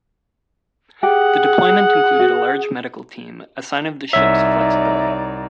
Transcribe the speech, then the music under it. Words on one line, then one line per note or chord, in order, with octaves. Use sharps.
The deployment included a large medical team, a sign of the ship's flexibility.
G4 G#4 F#5
F#4
C2 D#4 C#5 D5 E5